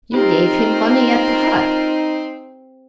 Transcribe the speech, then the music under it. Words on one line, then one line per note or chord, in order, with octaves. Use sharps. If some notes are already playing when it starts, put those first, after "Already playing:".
You gave him money at the hut.
C4 D#4 F4 G4 A#4